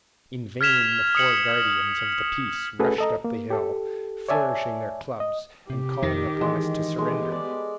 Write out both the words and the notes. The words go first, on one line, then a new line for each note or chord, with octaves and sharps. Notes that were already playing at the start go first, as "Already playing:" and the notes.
In vain the four guardians of the peace rushed up the hill, flourishing their clubs and calling upon us to surrender.
F6 G#6 B6 E7 F7
D#6 C#7 F#7
A3 C#4 F#4 G#4 A4 B4
A4 D#5 A#5
A#3
G4 A4
C#5 D5 E5 G#5 A5
D#5
C3 G4
F2 D#3
E3 G#3
G#3 A3 B3 G4
D5